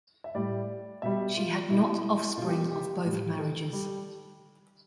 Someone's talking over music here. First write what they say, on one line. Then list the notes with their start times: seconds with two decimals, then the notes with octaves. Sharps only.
She had not offspring of both marriages.
0.24 E5
0.35 A2 G3 D5
1.02 B2 G3 E5
1.37 F4
1.70 B2 G3 E4
2.37 B2 G3 F4
2.49 G4
2.60 G4
2.72 G4
3.05 A2 G3
3.39 A4
3.73 G3